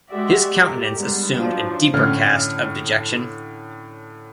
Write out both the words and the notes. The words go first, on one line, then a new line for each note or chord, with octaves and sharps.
His countenance assumed a deeper cast of dejection.
G#3 F#4 G4 D5 E5
G4 A#4
G3 G#3 B3 D4
F3 F#3 D4
A2 D3 C#4 F6